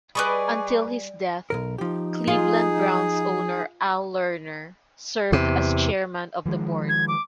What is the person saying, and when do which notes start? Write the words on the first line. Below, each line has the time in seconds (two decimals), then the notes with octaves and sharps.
Until his death, Cleveland Browns owner Al Lerner served as Chairman of the Board.
0.15 G3 G#4 B4 D5 D#5 B5 C#6 D6
1.50 B1 A#2 A#4
1.78 F3 D#4 G4
2.27 F4 G#4
5.32 E2 C3
6.46 D#3 F3 G#3
6.89 G#6
7.08 D6